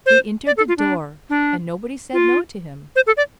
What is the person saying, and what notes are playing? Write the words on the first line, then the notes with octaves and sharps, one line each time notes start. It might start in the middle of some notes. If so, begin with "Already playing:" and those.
He entered the door, and nobody said no to him.
C5
D5
A4
F4
D4
D4
F4
C5
A4
D5